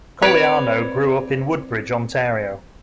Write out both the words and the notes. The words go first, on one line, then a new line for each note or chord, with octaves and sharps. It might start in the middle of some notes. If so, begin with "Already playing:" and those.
Cogliano grew up in Woodbridge, Ontario.
C4 B4 C#5 D5